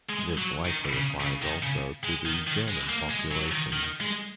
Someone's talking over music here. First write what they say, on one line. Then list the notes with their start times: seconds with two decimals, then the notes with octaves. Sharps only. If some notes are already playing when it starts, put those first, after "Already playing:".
This likely applies also to the German populations.
0.10 G#3
0.38 F#3
0.65 D#3
0.93 C#3
1.21 C#3
1.42 D#3
1.63 C#3
2.04 G#3
2.26 D#3
2.47 D#3
2.68 G#3
2.89 A#3
3.10 G#3
3.31 F#3
3.52 D#3
3.73 D#3
4.01 G#3